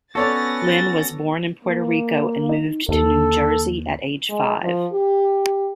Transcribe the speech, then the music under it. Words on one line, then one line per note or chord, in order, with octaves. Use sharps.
Lynn was born in Puerto Rico and moved to New Jersey at age five.
B3 C#4 F#4 A4 C#5 D5 A6 A#6
A#3
D#4
D#2 A4
G#3
F3
G4